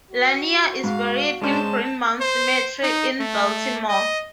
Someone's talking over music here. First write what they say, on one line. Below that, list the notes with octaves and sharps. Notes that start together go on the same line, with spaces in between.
Lanier is buried in Green Mount Cemetery in Baltimore.
F#4
G#2 F5
G#3 C#4 D4 C5 A5
C5
D#4
A3
D#5